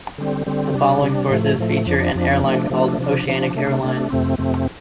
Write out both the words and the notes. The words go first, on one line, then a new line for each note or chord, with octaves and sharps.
The following sources feature an airline called Oceanic Airlines.
D3 G3 C4
D3 G3 C4
C3 G3 D4
C3 G3 D4
A2 F3 A3
A2 F3 A3
F2 F3 D4
F2 F3 D4
C3 F3 A3 D4
C3 F3 A3 D4
C3 F3 D4
C3 F3 D4
C3 A3 D4
C3 A3 D4
F2 C3 A3 C4
F2 C3 A3 C4